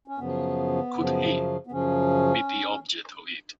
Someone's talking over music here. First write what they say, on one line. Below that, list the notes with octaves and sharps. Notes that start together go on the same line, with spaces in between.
Could he be the object of it?
C#4
F#2 C#3 F3 B3
F#2 C#3 F3
B3
F#2 C#3 F3 C#4